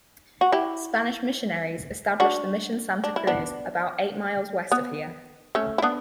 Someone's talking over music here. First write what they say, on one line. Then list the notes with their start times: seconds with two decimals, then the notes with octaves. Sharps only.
Spanish missionaries established the Mission Santa Cruz about eight miles west of here.
0.41 F#4
0.52 E4 G4
2.20 D4 F#4
3.04 D4
3.16 E4
3.27 B3 D4
4.72 B3
5.55 A3 C#4
5.78 E4
5.82 B3 D4